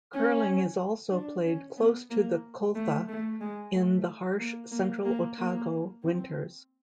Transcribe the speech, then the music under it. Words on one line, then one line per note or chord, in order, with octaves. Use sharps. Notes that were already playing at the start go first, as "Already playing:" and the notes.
Curling is also played close to the Clutha in the harsh Central Otago winters.
C#4
D4
C#4
B3
A#3
A3
A3
G#3
A3
A#3
A#3
A#3
A#3
C4